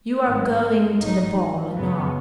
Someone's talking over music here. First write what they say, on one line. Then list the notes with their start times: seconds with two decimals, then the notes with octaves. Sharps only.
You are going to the ball anon. . . .
0.25 G#1 G#2 D#3 F#3 B3
1.00 G#1 G#2 F#3 D#4
1.76 F#2 C#3 B3